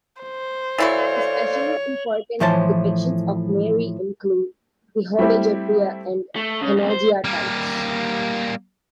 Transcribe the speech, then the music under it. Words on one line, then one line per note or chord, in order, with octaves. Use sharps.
Especially important depictions of Mary include the Hodegetria and Panagia types.
C5
E3 E4 F#4 A4 C#5 D5 F5
A2 E3 F3 C5 C#5 A5
G3 A3 C4 E4 G4
A3
C#3
F#2 C3
C5
G3 A#3